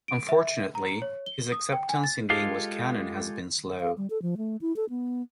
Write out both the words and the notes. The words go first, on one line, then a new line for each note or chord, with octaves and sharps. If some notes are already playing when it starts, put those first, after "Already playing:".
Unfortunately, his acceptance in the English canon has been slow.
D7
E5
A#5
C#5
G7
D#6
G5
G#5
A6
G#3 F4 G4 A4 F5
F5
G3
A4
F3
A3
E4
A4
B3